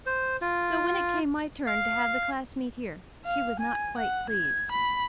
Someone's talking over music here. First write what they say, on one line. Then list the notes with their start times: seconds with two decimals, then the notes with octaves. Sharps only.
So when it came my turn to have the class meet here, she was not quite pleased.
0.06 C5
0.41 F4
1.67 F5
3.25 F5
3.60 G#5
3.98 F#5
4.30 G#6
4.72 B5